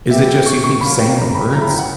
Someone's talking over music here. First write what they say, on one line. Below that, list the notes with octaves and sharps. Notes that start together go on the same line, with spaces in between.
Is it just you think saying the words?
E3 B3 E4 G4 E5
G5
C#6
C#6
C#3 F#3 A#3 B5
G5
A#5
B5
C#3 F#3 B3 E4 A#5
B5
G5
F#5